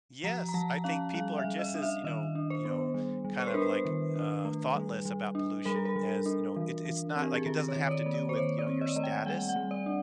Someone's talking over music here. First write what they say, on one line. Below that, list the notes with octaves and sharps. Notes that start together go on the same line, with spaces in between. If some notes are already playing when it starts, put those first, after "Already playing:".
Yes, I think people are just as, you know you know, kind of like, uh, thoughtless about pollution as you know, it it's not like, it doesn't have to do with, you know, your status,
F3 A#5
A#5
F3 A5
C#4 F5
G3 F5
E5
G3
D#5
D4
E5
D#3 D#5
D4
C5
B3
G3
G3
C5
B4
D4 A#4
B4
D#3
D4
A3
G3
G3
D4
G3 A#4
A4
A#4
G3
D4
E3
E3
C4
G4
G#4
D#3 A4
C#5
D#3
C#5
D5
A#3
D5
C5
D#3 C#5
D5
C4
D#5
D5
A3 D#5
G5
G3 F#5
F#5
G3
D5
D4